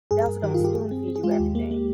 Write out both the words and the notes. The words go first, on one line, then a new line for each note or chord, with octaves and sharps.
they also don't spoon feed you everything.
G2 G#4
A#4
G2
D#3 G4
F4
G2 G4
G2 G#4
C4
C4
G#4
G#3 F4
G4
D#2
A#3
A#3